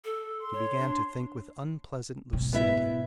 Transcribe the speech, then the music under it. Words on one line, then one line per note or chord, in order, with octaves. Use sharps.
She began to think with unpleasant lucidity.
A4
C6
C#5
D4
G#2 B2
B3 E4 E5